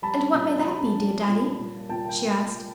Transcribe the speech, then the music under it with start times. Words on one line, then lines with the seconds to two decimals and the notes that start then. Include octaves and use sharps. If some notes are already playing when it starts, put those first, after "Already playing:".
"And what may that be, dear Daddy?" she asked.
0.02 G3 A5 B5
0.18 C#4
0.34 A#2
0.49 C#4
0.65 G3
0.81 C#4
0.97 C#4
1.12 G3
1.28 A#2
1.43 G3
1.58 A#2
1.74 A#3
1.89 A#2 G5 A5
2.05 A#3 G5